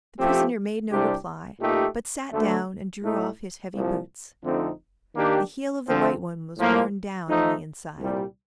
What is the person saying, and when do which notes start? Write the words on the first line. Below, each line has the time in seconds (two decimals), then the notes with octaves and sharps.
The prisoner made no reply, but sat down and drew off his heavy boots. The heel of the right one was worn down on the inside.
0.19 F3 A3 C4 G4
0.90 C2 C3 G3 D4 G4
1.61 A#2 A3 D#4 G4
2.31 D2 D3 A3
3.03 A2 A3 D#4
3.74 C2 A#2 F3
4.45 F2 D3 A3 C4 D#4
5.15 D#3 A#3 D4 G4
5.87 D2 D3 F3 C4
6.57 A2 F3 A#3
7.28 F3 A3 D#4
7.99 C2 A#2 G3